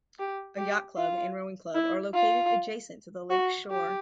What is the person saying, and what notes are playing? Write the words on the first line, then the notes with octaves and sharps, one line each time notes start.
A yacht club and rowing club are located adjacent to the lake's shore.
G4
G4
F4
E4
F4
F#4
G4